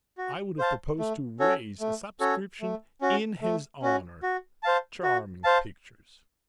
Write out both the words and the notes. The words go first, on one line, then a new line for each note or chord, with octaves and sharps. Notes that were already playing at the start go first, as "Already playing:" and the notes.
I would have proposed to raise a subscription in his honor! Charming pictures.
F#4
C5 F5 A5
A3
C#4 F#4 A4 C#5
A3
C#4 F#4 A4 C#5
A3
C#4 F#4
A3
C#4 F#4
F#4
C5 F5 A5
F#4
C5 F5 A5